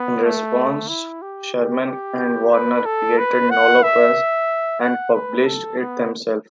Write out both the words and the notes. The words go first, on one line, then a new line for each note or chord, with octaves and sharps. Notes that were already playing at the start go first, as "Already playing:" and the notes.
In response Sherman and Warner created Nolo Press and published it themselves.
Already playing: B3
A3
E4
G4
G4
B4
A4
B4
F#5
E5
F#5
B4
A4
B3